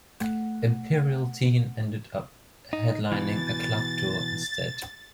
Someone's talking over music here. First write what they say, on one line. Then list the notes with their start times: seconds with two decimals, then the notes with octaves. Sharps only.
Imperial Teen ended up headlining a club tour instead.
0.21 A3 F#5
2.73 D#4
3.12 B2 E3 A6